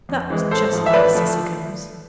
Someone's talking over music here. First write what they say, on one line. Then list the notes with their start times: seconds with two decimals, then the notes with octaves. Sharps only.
That was just like Cissycums.
0.09 F2
0.30 E3 G#3
0.51 A1 A4 C5
0.72 G#2 F3 A3
0.86 E5
0.93 A1 B4 D5
1.15 F3 A3